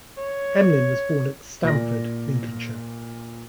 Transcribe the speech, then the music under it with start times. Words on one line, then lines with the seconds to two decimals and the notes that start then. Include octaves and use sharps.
Emlyn was born at Stamford, Lincolnshire.
0.17 C#5
1.64 A#2 D5 A#6